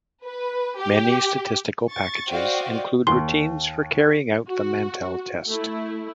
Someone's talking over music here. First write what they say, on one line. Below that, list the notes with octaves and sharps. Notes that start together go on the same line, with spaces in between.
Many statistical packages include routines for carrying out the Mantel test.
B4
G4
C#6 A6
F#4 C5 D5 D#5 F5 G5
D#2 C6
F#4
A3 E4